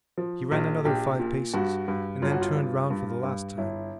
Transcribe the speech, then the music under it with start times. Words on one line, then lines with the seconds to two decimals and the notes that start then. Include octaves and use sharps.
He ran another five paces and then turned round for the last time.
0.18 F3
0.51 A#1
0.85 A#1 G4
1.20 A#2
1.54 G2 F#4
1.88 G2
2.22 G1 F4
2.32 F#4
2.41 F4
2.55 G2
2.90 G2
3.24 G2
3.58 G1 E4